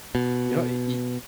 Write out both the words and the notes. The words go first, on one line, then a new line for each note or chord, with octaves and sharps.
No, e e
B2